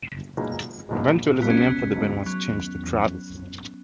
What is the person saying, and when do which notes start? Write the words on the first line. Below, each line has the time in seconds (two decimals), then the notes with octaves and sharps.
Eventually, the name for the band was changed to Travis.
0.37 B1 A#2 G#3
0.89 B1 A#2 G#3
1.41 A#1 G#2 F#3 B3
1.50 C#4
1.57 B3
1.93 A#1 G#2 F#3
2.26 F#3